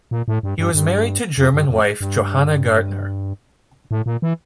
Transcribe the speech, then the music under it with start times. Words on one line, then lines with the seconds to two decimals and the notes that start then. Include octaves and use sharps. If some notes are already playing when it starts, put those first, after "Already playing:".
He was married to German wife Johanna Gaertner.
0.11 A#2
0.28 A2
0.43 G2
0.59 G2
0.74 G2
1.38 F2
1.54 G2
1.69 F2
2.01 G2
3.91 A2
4.06 A#2
4.22 E3